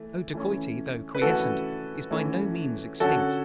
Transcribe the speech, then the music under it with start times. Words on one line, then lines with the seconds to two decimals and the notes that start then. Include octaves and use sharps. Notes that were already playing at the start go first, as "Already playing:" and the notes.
Oh, dacoity, though quiescent, is by no means extinct.
Already playing: E3 A3
0.33 E3 A3 C#4
1.15 B4
1.22 E3 A3 C#4 F#4 A4
2.11 E3 A3 C#4
3.00 D3 F#3 C#4 F#4 A4